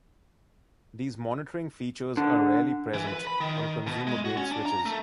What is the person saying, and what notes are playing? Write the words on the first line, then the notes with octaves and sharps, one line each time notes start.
These monitoring features are rarely present on consumer-grade switches.
D3
E3
B4
B5
D#3
B2
G#3
F#4
C#4
D4
A#5
A3